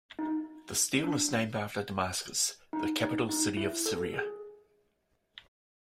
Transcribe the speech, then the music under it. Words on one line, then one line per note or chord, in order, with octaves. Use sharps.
The steel is named after Damascus, the capital city of Syria.
D#4
D4
D#4
D#4
D#4
E4
A4
G#4